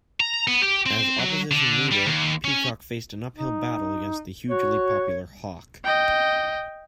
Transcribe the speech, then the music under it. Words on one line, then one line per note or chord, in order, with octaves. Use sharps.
As Opposition Leader, Peacock faced an uphill battle against the hugely popular Hawke.
A#5
B3
G4
C4
F#3
D3
G3
D#2
C#4
D#4
F#4 C#5
D#5 G5